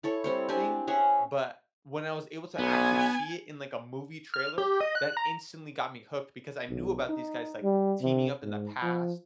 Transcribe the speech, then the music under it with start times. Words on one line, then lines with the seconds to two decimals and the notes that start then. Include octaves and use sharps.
thing, but when I was able to actually see it in, like, a movie trailer, that instantly got me hooked because I knew about these guys, like, teaming up in the past,
0.03 E4 A4 C#5
0.24 G3 C4 C#5
0.49 C4 D4 G4 G#5
0.87 C#4 G#4 E5 F#5
2.59 B1 B3 G#5
4.34 F6
4.58 G4
4.80 D#5
4.95 F#6
5.17 A#5
6.70 B1
7.09 D#4
7.63 G3
8.01 C3
8.43 G#2
8.83 F3